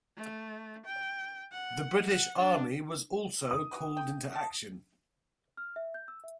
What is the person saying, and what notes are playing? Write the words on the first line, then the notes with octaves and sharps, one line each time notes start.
The British Army was also called into action.
A3
G5
F#5
F#5
D4
D#6
E3 F#4 B4
G5
E5 A5
F6
E5
G6
E6
E5